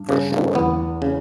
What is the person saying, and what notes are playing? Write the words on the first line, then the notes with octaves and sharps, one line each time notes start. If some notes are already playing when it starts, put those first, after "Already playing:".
For sure,
Already playing: G2
C#3
E2 B3
C#3